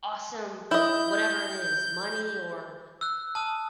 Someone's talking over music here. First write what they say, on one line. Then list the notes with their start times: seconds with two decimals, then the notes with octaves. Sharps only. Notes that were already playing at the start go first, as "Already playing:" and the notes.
awesome, whatever it is, money or,
0.71 E4 D#5 G6
3.01 E6 F#6
3.35 A5 D#6 F6